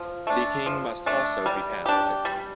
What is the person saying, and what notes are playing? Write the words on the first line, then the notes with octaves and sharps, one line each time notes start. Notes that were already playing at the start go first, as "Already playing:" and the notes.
The king must also be Catholic.
Already playing: F3
A3 D4
F3
A3 D4
G3
D4 G4
G3